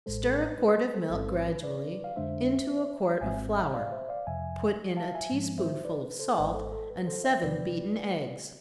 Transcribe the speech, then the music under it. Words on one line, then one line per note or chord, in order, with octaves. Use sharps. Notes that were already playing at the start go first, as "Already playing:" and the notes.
Stir a quart of milk gradually into a quart of flour--put in a tea-spoonful of salt, and seven beaten eggs.
A1 A2 G#3 A4 C5
A4
B4
B4
B4
A4 C5
A1 G#2 G#3 C4 A4
B4
B4
B4 D5
F5
F2 D3 G#3 D4 C5 E5
G#1 G#2 G#3 C4 E5 G#5
E5 G#5
D5 F5
C5 E5
D5 F5
F2 C3 F3 E5 G#5
F5 A5
E5 G#5
G#2 F3 G#3 C4
C5 E5
B4 D5
B4
A4 C5
G#1 G#2 G#3 B4 D5
A4 C5
A4
B4
A4 C5
C5 E5
E2 C3 F3 B4 D5